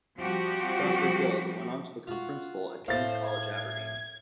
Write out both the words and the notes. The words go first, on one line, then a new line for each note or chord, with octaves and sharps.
Doctor Guild went on to become principal at King's College, Aberdeen.
F3 G3 C4 F#4 G4
F4 F#4
A2 C5 F5 A6
G#6